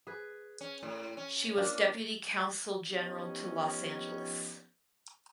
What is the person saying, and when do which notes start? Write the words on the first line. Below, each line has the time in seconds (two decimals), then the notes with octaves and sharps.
She was deputy consul general to Los Angeles.
0.07 G#4 B4
0.61 C#4
0.83 A2
1.17 C#4
1.57 A#3 D4 F4
2.90 F3 B3 C#4 D#4 G4